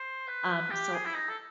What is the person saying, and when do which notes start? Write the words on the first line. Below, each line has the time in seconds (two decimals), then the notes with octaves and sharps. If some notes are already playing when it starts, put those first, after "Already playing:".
um, so
Already playing: C5
0.27 B4
0.71 G4
0.93 G#4
1.05 E4
1.15 D#4
1.29 A4